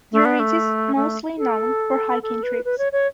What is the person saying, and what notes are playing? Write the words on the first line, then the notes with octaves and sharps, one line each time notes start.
The ridge is mostly known for hiking trips.
A3
B3
A3
A3
A4
A4
B4
B4
C#5
C#5